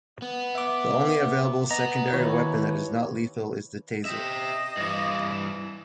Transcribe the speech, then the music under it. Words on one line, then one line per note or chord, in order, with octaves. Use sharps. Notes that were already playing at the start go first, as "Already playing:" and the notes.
The only available secondary weapon that is not lethal is the Taser.
B3
E5 D6
B3 D#5 A#5
D#2 E4 B4 C#5
G4 D#5 E5
G2 E3